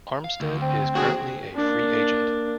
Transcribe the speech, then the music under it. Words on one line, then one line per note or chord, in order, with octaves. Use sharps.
Armstead is currently a free-agent.
F5
D2
C4
D#2 D4 F#4 G#4
A#3 D4